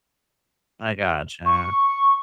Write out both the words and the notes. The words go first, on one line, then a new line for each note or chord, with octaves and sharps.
I gotcha.
C#6